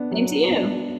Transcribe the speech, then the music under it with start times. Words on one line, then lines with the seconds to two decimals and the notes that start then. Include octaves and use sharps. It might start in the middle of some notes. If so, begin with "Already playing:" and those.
Same to you.
Already playing: B3 D4
0.11 F#3
0.49 B3 D4